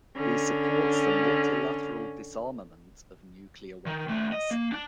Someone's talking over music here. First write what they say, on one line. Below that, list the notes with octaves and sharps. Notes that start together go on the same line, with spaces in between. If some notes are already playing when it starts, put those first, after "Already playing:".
He supports the multilateral disarmament of nuclear weapons.
D3 C#4
D#3
D#2 A3
D#5
A#3
D4